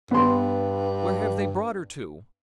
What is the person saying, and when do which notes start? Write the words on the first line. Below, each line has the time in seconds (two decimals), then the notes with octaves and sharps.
Where have they brought her to?'
0.11 G2 B3 C6